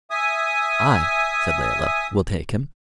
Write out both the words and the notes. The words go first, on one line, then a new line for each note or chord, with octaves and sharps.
"I," said Layelah, "will take him."
E5 G#5 D#6